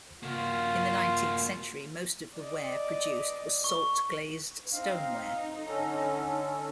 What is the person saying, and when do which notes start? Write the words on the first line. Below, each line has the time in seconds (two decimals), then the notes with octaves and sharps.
In the nineteenth century most of the ware produced was salt-glazed stoneware.
0.23 A#3 F4 F#4
2.38 D5 D#5
3.64 C#6
4.73 C4 D#4 F5
5.65 D3 C#4 A4